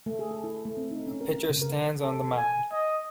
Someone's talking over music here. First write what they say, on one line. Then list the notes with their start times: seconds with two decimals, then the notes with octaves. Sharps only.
A pitcher stands on the mound.
0.06 A3
0.19 G#4
0.31 A4
0.44 E4
0.65 A3
0.77 C4
0.91 D#4
1.07 C#4
1.21 A#4
1.34 A#4
1.50 C#3
1.62 A#4
2.01 A4
2.36 G#5
2.71 D#5